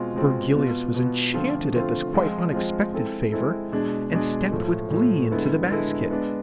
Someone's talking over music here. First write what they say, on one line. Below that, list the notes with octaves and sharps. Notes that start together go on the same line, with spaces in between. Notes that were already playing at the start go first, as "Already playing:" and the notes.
Virgilius was enchanted at this quite unexpected favour, and stepped with glee into the basket.
Already playing: B2 G#3 C4 F4
B2 G#3 C4 F4
B2 B3 F4
B2 B3 F4
D3 F3 A3 C4 F4
D3 F3 A3 C4 F4
F3 G#3 C4 F4
F3 G#3 C4 F4
G#3 C4 E4 A4
G#3 C4 E4 A4
B2 G#3 D4 G#4
B2 G#3 D4 G#4
A2 F3 A3
A2 F3 A3
D3 G#3 B3 E4 A4
D3 G#3 B3 E4 A4
G#3 B3 D4